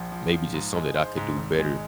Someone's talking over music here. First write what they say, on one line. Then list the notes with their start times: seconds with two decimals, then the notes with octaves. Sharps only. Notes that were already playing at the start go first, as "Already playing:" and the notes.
maybe just something that I could do better.
Already playing: A#1 F3
0.12 F3
0.33 F3
0.53 G#2
0.74 G#3
0.95 C5
1.17 G#2
1.37 G#1
1.59 G#3